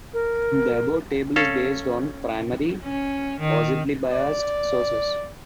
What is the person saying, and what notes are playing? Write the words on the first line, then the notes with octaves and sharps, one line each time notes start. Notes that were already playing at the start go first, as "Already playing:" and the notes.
The above table is based on primary, possibly biased, sources.
A#4
C#4 A4 F5
C#4
D#3
D5